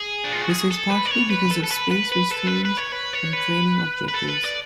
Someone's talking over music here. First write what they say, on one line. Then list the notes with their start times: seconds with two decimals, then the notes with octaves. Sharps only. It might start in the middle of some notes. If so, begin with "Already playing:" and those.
This is partially because of space restraints and training objectives.
Already playing: G#4
0.24 D4
0.33 F4
0.41 F#4
0.50 G#4
0.71 A4
0.90 B4
1.05 D5
1.11 C#5
1.30 B4
1.51 A4
1.63 A4
1.71 B4
1.91 B4
2.12 B4
2.32 A4
2.47 B4
2.65 B4
2.77 C#5
2.92 B4
3.13 C#5
3.33 B4
4.08 B4
4.14 A4
4.28 B4
4.44 D5